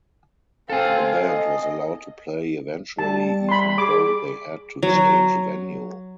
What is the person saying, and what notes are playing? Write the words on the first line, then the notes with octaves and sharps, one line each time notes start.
The band was allowed to play eventually even though they had to change venue.
C4 A4 F5 G#5
D#5
G3 A5
B5 C6
G#4 D6
F#3